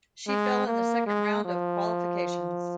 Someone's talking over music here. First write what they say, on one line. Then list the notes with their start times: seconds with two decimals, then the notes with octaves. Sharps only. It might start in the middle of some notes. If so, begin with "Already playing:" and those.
She fell in the second round of qualifications.
0.28 G#3
0.66 A#3
1.06 G#3
1.45 F3